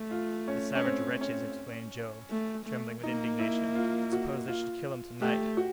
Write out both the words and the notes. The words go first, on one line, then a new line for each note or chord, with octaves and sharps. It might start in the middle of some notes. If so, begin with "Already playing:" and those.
"The savage wretches!" exclaimed Joe, trembling with indignation. "Suppose they should kill him to-night!"
Already playing: A3
F4
C#4
C#4
C4
C#4
A3
A3
A#3 D#4
E4
F4
F#4
F4
A3 G4
F#4